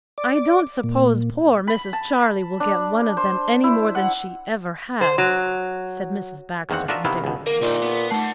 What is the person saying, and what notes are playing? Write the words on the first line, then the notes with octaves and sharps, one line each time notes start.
"I don't suppose poor Mrs. Charley will get one of them any more than she ever has," said Mrs. Baxter indignantly.
D5
A#2
B5
A5
D4
C5
E4
F#5
C5
F#3
E2 D#3 A#3 C4 F#5
D4 F4 F#4 A#4 D#5 E5
C3 D#3 B3 E4 F5
C#2 B2
A#3 A#4
A#2 D3 D#4
B3
A3 D#4 F#5 A5 C7